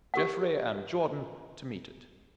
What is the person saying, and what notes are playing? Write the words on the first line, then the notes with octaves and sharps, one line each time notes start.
Geoffrey and Jordan, to meet it.
G4 A#4 F#5